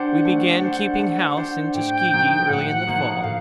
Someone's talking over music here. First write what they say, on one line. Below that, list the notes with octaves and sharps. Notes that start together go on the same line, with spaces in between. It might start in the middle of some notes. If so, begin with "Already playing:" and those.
We began keeping house in Tuskegee early in the fall.
Already playing: D4 G4 C5 F#5
A3
D4 G4 C5
A3
D4 G4 C5
A2 G5
F3 A#3 D#4 F#4
A2 F#5
F3 A#3 D#4 F#4
A2 F5